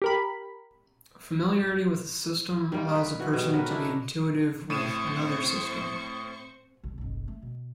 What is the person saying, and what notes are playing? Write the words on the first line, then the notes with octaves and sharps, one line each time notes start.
Familiarity with a system allows a person to be intuitive with another system.
G4 A#4 B5
D#3 G3 A#3
B4
E3 F#4
B2 G3
C#4 F#4 A#4 B4
D#3 D4 E4
A2 C4 C5 C#6 D#7 E7
C2
F#1 B1
A3
B2